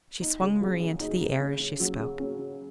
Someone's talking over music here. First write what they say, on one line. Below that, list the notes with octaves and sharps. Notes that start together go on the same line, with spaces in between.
She swung Marie into the air as she spoke.
D#4
C#3
F#3
G#4
D#4
C#3
C#4
C#3
F#3
C#3
C#4
C#3